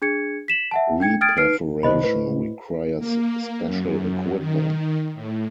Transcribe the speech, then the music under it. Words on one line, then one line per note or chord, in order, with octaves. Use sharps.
Re-perforation requires special equipment.
D4 G#4 G#6 C#7
B6 E7 F#7
E5 F#5 A5
D4 G5 G#6 C#7
G5 D#6 F6 G#6 A6 D7
D#4 B4 F6 C7 D7
C2 B2 D#3 C5 D#5 B5
A2 B4
A#3
F#2
D#3
A2